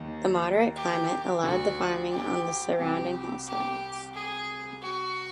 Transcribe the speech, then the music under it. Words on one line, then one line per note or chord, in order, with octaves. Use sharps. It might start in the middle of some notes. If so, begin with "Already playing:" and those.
The moderate climate allowed the farming on the surrounding hillsides.
Already playing: D#2 D#3
G4
D2 D3 F#4
G4
C2 C3 G4
G4
G#4
F#4